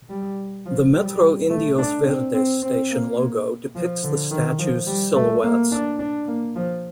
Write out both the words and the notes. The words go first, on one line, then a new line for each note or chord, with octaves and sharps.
The Metro Indios Verdes station logo depicts the statues' silhouettes.
G3
F3
G3
A3
D4
C4
C4
C4
A#3
F3
D3
D#3
F3
G3
A3
A#3
D4
D4
A#3
F3